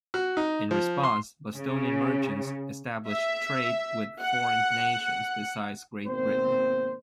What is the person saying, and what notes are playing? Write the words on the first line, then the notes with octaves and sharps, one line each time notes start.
In response, Bostonian merchants established trade with foreign nations besides Great Britain.
F#4
D#4
F3
C6
C#3
E5
F#5
G#1 B2 A#3 C4 C5